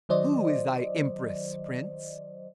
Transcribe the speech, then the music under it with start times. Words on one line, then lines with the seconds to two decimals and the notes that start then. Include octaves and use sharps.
Who is thy Empress, Prince?
0.09 D#3 F#3 C5 D5 D#5